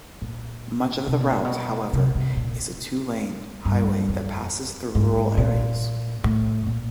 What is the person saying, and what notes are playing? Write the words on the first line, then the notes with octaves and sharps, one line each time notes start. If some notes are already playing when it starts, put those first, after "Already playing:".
Much of the route, however, is a two-lane highway that passes through rural areas.
A#2
C3
B2
A#2
B2
C3
C3
A#2
G2
F2
G#2
A#2
A2
A#2